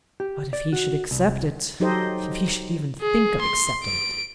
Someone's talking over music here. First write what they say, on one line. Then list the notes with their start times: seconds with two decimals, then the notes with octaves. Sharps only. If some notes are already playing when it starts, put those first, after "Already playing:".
"But, if he should accept it; if he should even think of accepting it!"
0.20 G4
0.53 D5
0.73 F#4
1.11 C2
1.80 F#3 D#4 G4 A4 C5 D#5
3.02 G#4
3.41 C6
3.84 D7